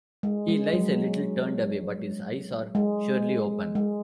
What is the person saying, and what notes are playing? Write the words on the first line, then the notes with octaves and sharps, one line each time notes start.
He lies a little turned away, but his eyes are surely open.
G#3
G#3
F#3
G#3
G#3